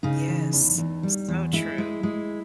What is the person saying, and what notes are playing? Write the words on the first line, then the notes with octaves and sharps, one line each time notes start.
Yes, so true.
C#3 D#4
E3
E2
E2
G3
E2
G#3 E4
G#3
G#3